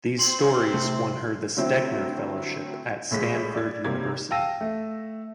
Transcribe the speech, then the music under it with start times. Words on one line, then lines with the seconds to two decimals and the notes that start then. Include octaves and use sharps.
These stories won her the Stegner Fellowship at Stanford University.
0.19 C4 C6 C7 F#7
0.74 C3 A3
1.57 D3 F#3 A3 C4 E4
3.11 A#1 A2 G#3 B6
3.55 D5 G#6
3.84 F#1 C3 A#3 G#6
4.31 F5 G5 A5 E6 A#6 D#7
4.61 A3